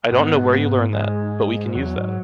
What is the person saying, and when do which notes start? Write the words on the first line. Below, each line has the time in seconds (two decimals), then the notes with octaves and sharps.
I don’t know where you learned that, but we can use that.
0.11 G#2 B3
0.93 G#3
1.75 E2 F#3
1.97 G#2